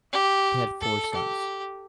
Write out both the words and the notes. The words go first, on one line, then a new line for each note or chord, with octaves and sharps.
They had four sons.
G4
A4
G4